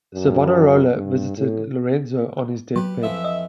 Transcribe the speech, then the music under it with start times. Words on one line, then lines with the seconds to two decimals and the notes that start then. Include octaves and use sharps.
Savonarola visited Lorenzo on his death bed.
0.14 F#2
0.96 G2
1.37 A2
2.76 F#3 G4 B4
3.03 F2 E3 F3 E5
3.24 D#5